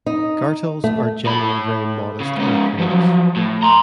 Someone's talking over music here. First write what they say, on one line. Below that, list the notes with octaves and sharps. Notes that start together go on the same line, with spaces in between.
Gartels are generally very modest in appearance.
D#4
A3
A2 B5
C#3
G#2 C#4
F3 F#3
A2
A#5 C6